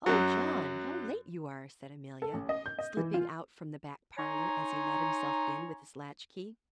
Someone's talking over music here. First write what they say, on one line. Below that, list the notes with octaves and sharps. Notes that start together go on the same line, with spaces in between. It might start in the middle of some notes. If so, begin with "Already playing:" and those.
"Oh, John, how late you are!" said Amelia, slipping out from the back parlour as he let himself in with his latch-key.
F#2 F#3
A4
A1
D#5
G6
D#5
E3
F4
D#4 C#5 G#5 A#5 C6 C#6